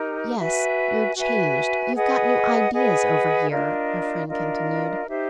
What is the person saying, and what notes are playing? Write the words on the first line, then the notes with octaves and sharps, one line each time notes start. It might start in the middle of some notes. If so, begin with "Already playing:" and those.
"Yes, you're changed; you've got new ideas over here," her friend continued.
Already playing: D#4 G4 A#4
F#4 B4 E5 G#5
F#4 B4 E5 G#5
G#4 B4 D#5 F#5
G#4 B4 D#5 F#5
D4 F4 A#4 D#5
D4 F4 A#4 D#5
D#4 G4 C5 E5